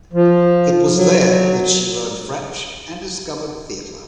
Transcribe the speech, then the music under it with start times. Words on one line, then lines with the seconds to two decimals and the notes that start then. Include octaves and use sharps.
It was there that she learned French and discovered theater.
0.13 F3
0.95 F#3